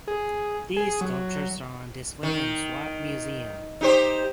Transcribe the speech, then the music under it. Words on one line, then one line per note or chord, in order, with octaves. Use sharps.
These sculptures are on display in Swat Museum.
G#4
G#4
F#3
D#3
D#4 G4 C5